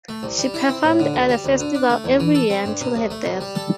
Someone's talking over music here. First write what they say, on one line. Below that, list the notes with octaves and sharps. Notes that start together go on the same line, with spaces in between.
She performed at the festival every year until her death.
A3
C2
G3
E4
C4
A2
D3
D2
G3
D2
D3
D4
A3
E2
E3
A4
C4
G2
C3
C2
A3
C2
G3
A4